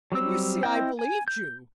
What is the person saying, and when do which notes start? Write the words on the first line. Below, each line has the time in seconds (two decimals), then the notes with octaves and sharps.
And you see I believed you.
0.12 F#3 G3 C4 E6
0.63 C4 E4 D#5 G5
0.99 G#5
1.28 G6